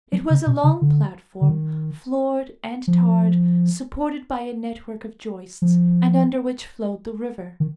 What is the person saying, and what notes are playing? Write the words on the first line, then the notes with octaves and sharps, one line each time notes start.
It was a long platform, floored and tarred, supported by a network of joists, and under which flowed the river.
F#3
C#3
B2
C#3
D3
D3
D#3
F3
F3
D#3